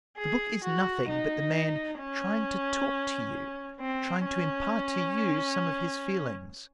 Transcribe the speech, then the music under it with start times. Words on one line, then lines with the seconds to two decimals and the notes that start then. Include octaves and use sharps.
The book is nothing but the man trying to talk to you, trying to impart to you some of his feelings.
0.18 G#4
0.64 F#4
1.09 D#4
1.99 C#4
3.80 C4
4.25 C#4